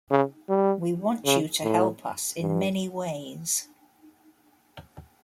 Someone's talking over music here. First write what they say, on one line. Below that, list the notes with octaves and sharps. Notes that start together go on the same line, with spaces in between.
We want you to help us in many ways.
C#3
G3
C#3
A2
G2